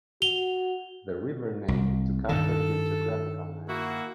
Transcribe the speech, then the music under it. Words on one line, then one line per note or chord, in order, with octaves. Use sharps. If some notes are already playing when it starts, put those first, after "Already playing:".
The river name took after this geographical name.
F#4 F7 G7
C2
G2 D#3 A4
A#3 E4 F#4